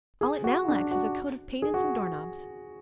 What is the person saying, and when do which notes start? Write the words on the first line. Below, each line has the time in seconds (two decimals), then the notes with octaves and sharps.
All it now lacks is a coat of paint and some doorknobs.
0.21 G#4
0.44 F#4
0.68 D4
0.91 F#4
1.62 G#4
1.74 F#4